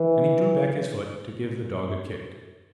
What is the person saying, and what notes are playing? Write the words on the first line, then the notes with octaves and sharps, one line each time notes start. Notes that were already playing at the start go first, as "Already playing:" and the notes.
And he drew back his foot to give the Dog a kick.
Already playing: E3